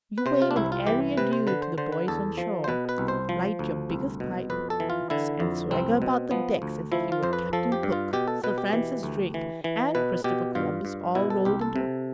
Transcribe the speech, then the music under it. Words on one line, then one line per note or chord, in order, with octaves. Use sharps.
You wave an airy adieu to the boys on shore, light your biggest pipe, and swagger about the deck as if you were Captain Cook, Sir Francis Drake, and Christopher Columbus all rolled into one.
B4
C3 C5
F4
D4
C2 E4
F4
E3 G4
C3 B4
C5
D3 B4
C5
D3 C5
B4
E2 A4
F3
C5
B2 B4
B4
C2
C5
F3
D2
C2
B2
F2 B4
A4
E3
F4
D3 E4
F2
C2 C4
B2
F3 B3
D2
F3 E4
F4
F2 C5
B4
F3 A4
G4
G2
F4
B2 G4
A4
B2 B4
G4
E3
D2
E3
E3
B2 B4
B2 G4
G2 F4
G2
B2 E4
A4
C2 G4
A4
C3